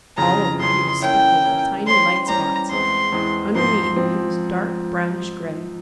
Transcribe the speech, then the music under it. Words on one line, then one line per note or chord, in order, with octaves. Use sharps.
All over he was speckled with tiny light spots. Underneath he was dark brownish-gray.
F2 C#3 E3 A#5
F2 C#3 E3 C6
E3 A#3 C#4 E4 G5
E3 A#3 C#4 E4
E3 G3 C#4 G4 C5 C6
E3 G3 C#4 G4 C5 A#5
E2 E3 G#3 C4 C6
E2 E3 G#3 C4
G#2 F3 C4 C6
F3 C4